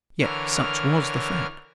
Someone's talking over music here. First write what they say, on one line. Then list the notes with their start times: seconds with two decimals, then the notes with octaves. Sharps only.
Yet such was the fact.
0.21 D3 E3 A#4 C#5 F6